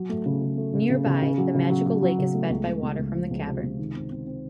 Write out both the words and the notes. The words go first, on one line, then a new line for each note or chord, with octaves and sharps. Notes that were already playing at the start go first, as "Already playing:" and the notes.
Nearby the magical lake is fed by water from the cavern.
Already playing: F#3
A3
C#3
C#3
A3
C#3
C#3
C#3
C#3
F#3
C#3
F#3
F#3
F#3
C#3
A3
C#2
C#2
C#2
C#2
F3
C#2
C3
C#2
D#3
C4
C4
C4